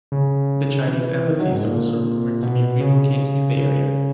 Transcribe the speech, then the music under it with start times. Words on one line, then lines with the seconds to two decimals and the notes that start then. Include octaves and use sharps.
The Chinese Embassy is also rumoured to be relocating to the area.
0.12 C#3
0.88 E3
1.27 D#3
1.40 F#3
1.52 G#2
1.64 A#2
2.43 B2
2.80 C#3
3.57 C#3